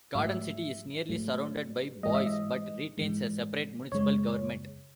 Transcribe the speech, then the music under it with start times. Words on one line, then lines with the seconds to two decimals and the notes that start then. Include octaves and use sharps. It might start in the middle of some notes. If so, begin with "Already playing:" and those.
Garden City is nearly surrounded by Boise but retains a separate municipal government.
0.15 G#2 F#3 A3 E5
1.09 G#2 F#3 A3
2.03 G#2 E3 G#3 D#5
2.15 E5
2.27 D#5
2.98 G#2 E3 G#3
3.92 F#2 C#3 G#3 C#5